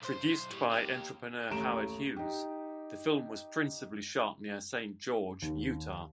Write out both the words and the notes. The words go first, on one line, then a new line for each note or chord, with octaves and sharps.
Produced by entrepreneur Howard Hughes, the film was principally shot near Saint George, Utah.
B1 C5
A2 G3
A#3 G4
A1 D#2 A3 A#5 D7 E7
D#4 G4
D#2